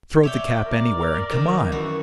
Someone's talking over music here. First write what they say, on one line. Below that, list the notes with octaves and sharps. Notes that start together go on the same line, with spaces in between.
"Throw the cap anywhere and come on!"
C#5 D5 E5 G5
A#4 D5
D#3
F#2 E3 F#4 C#6